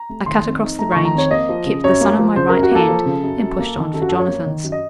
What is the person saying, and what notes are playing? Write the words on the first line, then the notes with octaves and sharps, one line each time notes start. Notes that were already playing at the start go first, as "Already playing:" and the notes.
I cut across the range, kept the sun on my right hand, and pushed on for Jonathan's.
Already playing: A#5
A3
D#3 C6
F2
D#4
A3 A#5
D#3 C#6
A#5
F2 C#5
A#3 D#5
F3
C#3
F#2 C#5
A#3
F3
C#3 C5
F#2 A#4
F#4
A#3 A4
F3
C#3
F#2
F#2
A#3
D#3
F#2 A4
F#4
F#2 A4
C#5
A#3
D#3
F#2
D#5